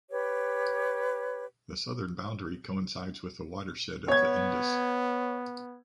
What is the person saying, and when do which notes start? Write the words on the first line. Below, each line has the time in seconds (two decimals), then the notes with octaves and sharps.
The southern boundary coincides with the watershed of the Indus.
0.10 G4 B4 C#5
4.08 B3 C#5 G#6